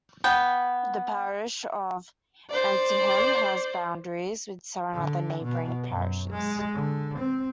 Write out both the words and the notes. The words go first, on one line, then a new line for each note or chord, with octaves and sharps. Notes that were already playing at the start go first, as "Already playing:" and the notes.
The parish of Antingham has boundaries with seven other neighbouring parishes.
B3 G5
C5 D5
D3
B2
F#2
G#3
D3
C4